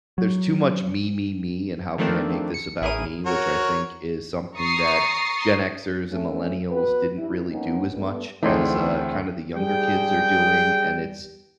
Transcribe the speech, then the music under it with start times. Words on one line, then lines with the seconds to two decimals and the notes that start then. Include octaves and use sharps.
there's too much me, me, me, and how can I make this about me, which I think is something that Gen Xers and millennials didn't really do as much as, uh, kinda the younger kids are doing, and it's
0.18 F#3
1.98 D#3 F3 A3 A#3 C4 D4
2.54 C#7
2.82 A1 E4 G#4 A#4 D#7
3.26 F#4 A#4 C#5
4.57 A#5 C#6 D#6 A6 C7
6.09 A3 C#4
6.70 B3 F#4 B4
7.17 G2 G3 E4
7.50 A#3 B3 C#4 D#4
7.93 G3 A3 B3
8.43 D2 E3 A3 C4 D#4 G#4 D5 C6
9.56 G3 G#4 G5